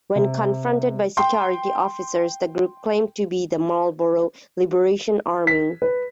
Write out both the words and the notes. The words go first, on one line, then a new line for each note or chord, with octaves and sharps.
When confronted by security officers, the group claimed to be the Marlborough Liberation Army.
C3
G5 C6
B6
B4